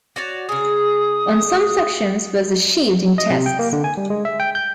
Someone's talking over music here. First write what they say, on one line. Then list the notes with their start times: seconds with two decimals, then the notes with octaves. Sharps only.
On some sections was achieved in tests.
0.16 F#4 C#5 D5
0.49 C#3 G#4 D#6
3.18 D#5
3.30 C3
3.46 G5
3.59 A#3
3.73 D3
3.84 G#5
3.97 G3
4.10 G#3
4.25 E5
4.40 G5
4.55 G6